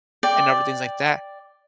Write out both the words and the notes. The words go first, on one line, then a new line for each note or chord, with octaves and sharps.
and other things like that?
D5 G5